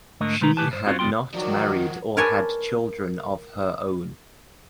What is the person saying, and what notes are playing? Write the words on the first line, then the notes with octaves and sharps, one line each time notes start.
She had not married or had children of her own.
G#2 D3 A3 A#4 D#5
B2 G#3 A3 B4 A#5
B1 A2 G4 B4 G#5 A5
G2 C5
C4 C#4 F4 F#4 C5
C#2 F#2 B3 F4 G5 C6
D#3 F3 F#3 F#4 D5
A#4 B4 C#5 D5 G#5 A5